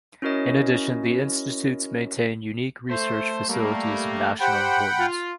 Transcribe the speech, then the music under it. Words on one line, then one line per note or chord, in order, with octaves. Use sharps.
In addition, the institutes maintain unique research facilities of national importance.
C#4 E4 F#4 A#4 C#5 D#5
A3 C5
G3 A3 A#3
G4 C5 F#5 G5 B5
F4